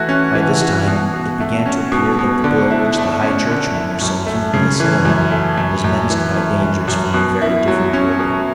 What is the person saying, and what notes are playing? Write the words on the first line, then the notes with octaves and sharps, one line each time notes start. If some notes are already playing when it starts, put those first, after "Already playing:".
But by this time it began to appear that the bill which the High Churchmen were so keenly assailing was menaced by dangers from a very different quarter.
Already playing: E3 A3 F#4
C#4
E3
F#4
B2
B2
A3
C#4
B2
B2
D3
E4
A3
C#4
D3
E4
F#2
A3
C#3
E3
F#2
A3
F#2
F#2
E3
A3
F#2
F#2
B2
E4
F#3
C#4
B2